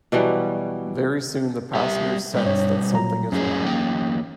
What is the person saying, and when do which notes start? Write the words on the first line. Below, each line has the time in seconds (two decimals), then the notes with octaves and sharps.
Very soon the passengers sense that something is wrong.
0.12 B2 E3 F#3 G3
1.75 G3 G4 E5
2.34 B2 G3
2.45 G2 C#5
2.93 A#2 F#3 A#5
3.32 F#2 A2 F#3 C#4 G#4
3.65 E2 A#3 G5